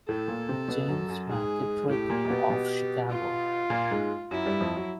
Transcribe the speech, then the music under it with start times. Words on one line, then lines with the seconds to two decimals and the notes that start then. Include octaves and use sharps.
James McKittrick, of Chicago.
0.08 A2 A3 A4
0.28 A#2 A#3
0.49 C3 C4
0.68 B2 B3
0.88 F#2 F#3
1.08 F#2 F#3
1.29 G#2 G#3 G#4
1.89 A2 A3 G4
2.10 A#2 A#3
2.25 A#3
2.30 B2 B3
2.50 B2 B3
3.10 F4
3.70 A#2 A#3
3.91 G#2 G#3
4.31 F#2 F#3 E4
4.45 G2 G3
4.60 F2 F3
4.76 F#3